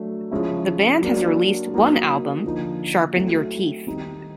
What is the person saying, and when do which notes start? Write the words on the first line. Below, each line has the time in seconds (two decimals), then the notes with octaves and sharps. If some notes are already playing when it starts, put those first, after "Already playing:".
The band has released one album, "Sharpen Your Teeth".
Already playing: F#3 A3 D4
0.32 C#3 F3 G#3 C#4 E4
1.02 F#3 A#3 D4
1.74 F#3 A#3 D#4
2.44 D3 F3 A#3 D#4
3.16 F#3 A3 C4 E4
3.87 D#3 G3 C4 D#4